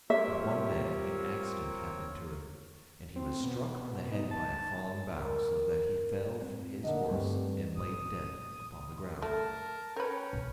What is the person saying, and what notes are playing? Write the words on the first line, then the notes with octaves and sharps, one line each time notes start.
But one day an accident happened to him, and he was struck on the head by a falling bough, so that he fell from his horse and lay dead upon the ground.
G3 A#3 C4 F4 G4 C#5 E5
C4
B2
D#4
A5
A#4
C4
A#2 D3 D#4 D#5
G2 A3 C4
A#2 D#6
A3 A#4 A5
C#4 A#4 B4 G5
B1